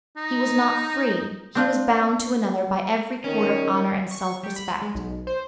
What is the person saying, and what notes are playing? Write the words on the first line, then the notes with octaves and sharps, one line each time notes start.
He was not free--he was bound to another by every cord of honour and self-respect.
D#4
C4 D4 F4
D#3 C#4
C#6
G3
B5
G#3
B1
C5